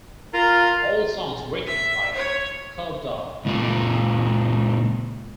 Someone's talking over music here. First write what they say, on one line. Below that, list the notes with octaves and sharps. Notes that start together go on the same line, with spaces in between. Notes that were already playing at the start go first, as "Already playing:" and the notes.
All songs written by Kerbdog.
F4 A#4 A#5
E5
C#5
C#2 A#2